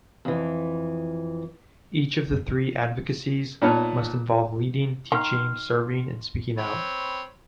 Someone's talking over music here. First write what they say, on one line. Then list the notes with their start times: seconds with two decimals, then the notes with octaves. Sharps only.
Each of the three Advocacies must involve leading, teaching, serving, and speaking out.
0.25 F2 E3
3.62 A#2 B3 D#4 C#5 A5 F6
5.12 D#3 C6 F6
6.58 C4 B4 C#5